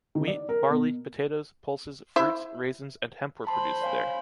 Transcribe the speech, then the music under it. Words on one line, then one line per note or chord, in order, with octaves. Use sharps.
Wheat, barley, potatoes, pulses, fruits, raisins and hemp were produced there.
D#3
D5
A#4
B2
E4 C5 E5
C5 A5 B5 C6
C#5 F5 G#5